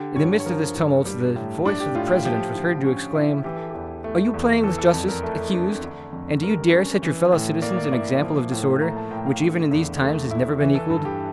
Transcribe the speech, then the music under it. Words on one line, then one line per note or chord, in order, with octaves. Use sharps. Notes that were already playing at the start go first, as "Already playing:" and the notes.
In the midst of this tumult the voice of the president was heard to exclaim,--"Are you playing with justice, accused, and do you dare set your fellow-citizens an example of disorder which even in these times has never been equalled?"
Already playing: D3 G4
G2 C#5
C#5
F3 A#4
G2
G3
A2
D4
G4
A2 F4
G4
F3 G4
D3
C#4
E4
E3 G4
A4
E2 G4
A3
E2
E3 A4
A4
F2 A4
A#4
A3
D4
D3
F2
G3 A#4
C#4
E3
A2
A#3 D5
D5
E4 D5
F3
A2
A3 A#5
A5
A2 G5
F5
D3
E2
A3
E4
E3 E5
A4
G2 A4
G4